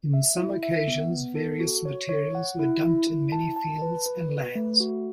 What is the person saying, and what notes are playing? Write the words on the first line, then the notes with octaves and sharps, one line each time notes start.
In some occasions, various materials were dumped in many fields and lands.
E5
E4
E5
B3
B3
A4
F#4
C#5
C#5
F#5
E4
E4
E4
A5
A5
B4
B4
B4
A3
F#4